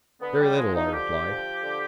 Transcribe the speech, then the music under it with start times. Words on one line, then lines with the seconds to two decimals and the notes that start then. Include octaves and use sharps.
"Very little," I replied.
0.20 D3 B3
0.39 G3
0.56 F3 G#3
0.75 D#4
0.92 D3 G4
1.27 F3
1.62 D3